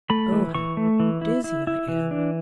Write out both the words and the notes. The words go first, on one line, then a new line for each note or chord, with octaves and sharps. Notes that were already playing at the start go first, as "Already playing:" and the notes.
Oh, how dizzy I am!
A3 B5
E3
E3 C#6
A3
E3
E4
E4
E4
E3
D4